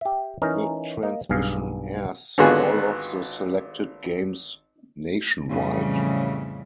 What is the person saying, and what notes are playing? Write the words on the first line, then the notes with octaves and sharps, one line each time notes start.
The transmission airs all of the selected games nationwide.
G4 E5
E3 C#4 D#4 A#4
A#3 D#5
B1 G2 G#4 F5
G#1 D3 B3 F4 F#4 G#4
F2 A2 C#3 E3 G3